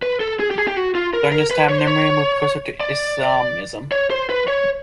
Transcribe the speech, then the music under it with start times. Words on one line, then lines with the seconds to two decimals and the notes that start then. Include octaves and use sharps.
During this time, Nimeiri moved closer to Islamism.
0.02 B4
0.20 A4
0.40 G#4
0.51 G4
0.58 G#4
0.68 G4
0.77 F#4
0.95 F4
1.13 A#4
1.32 A#4
1.51 B4
1.69 C#5
1.78 C5
1.87 C#5
2.80 D5
3.92 C#5
4.11 C5
4.30 B4
4.48 C#5